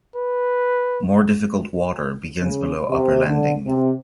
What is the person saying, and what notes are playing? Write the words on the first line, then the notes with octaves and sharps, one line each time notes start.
More difficult water begins below Upper Landing.
B4
C#3
C3
D3
C3